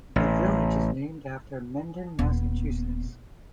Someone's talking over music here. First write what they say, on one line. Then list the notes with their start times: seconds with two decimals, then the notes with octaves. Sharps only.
The village is named after Mendon, Massachusetts.
0.16 A1
2.19 D#1 B3